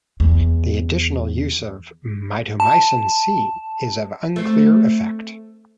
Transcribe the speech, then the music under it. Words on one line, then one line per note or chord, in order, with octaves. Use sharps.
The additional use of mitomycin C is of unclear effect.
E2
A5
A3 C4